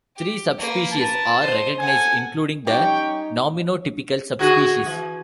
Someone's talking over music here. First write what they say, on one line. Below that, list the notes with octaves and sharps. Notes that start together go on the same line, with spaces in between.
Three subspecies are recognized, including the nominotypical subspecies.
G4
A#3 B4
A#4 B4 A5
C5 D#5
A4 F#5 G#5
G3 C#4 D#4 G4 C#5 G5
D3 F#4 G#4
E3